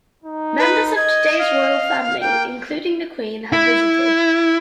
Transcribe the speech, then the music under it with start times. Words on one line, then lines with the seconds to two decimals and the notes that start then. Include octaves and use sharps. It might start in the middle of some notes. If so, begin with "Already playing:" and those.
Members of today's Royal Family, including the Queen, have visited.
0.24 D#4
0.59 B4
0.96 D#5 G#6
1.38 F5
2.21 A#3 G5
3.53 E4